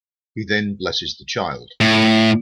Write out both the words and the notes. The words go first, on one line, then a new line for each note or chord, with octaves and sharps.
He then blesses the child.
A2